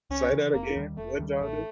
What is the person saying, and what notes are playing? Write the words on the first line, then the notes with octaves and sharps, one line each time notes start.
say that again. What did y'all do?
C#2 C#4
C#3 E3
F1 A#3
D#2 D#3 G3
F1 A3
D#2 D#3 G3
A1 A3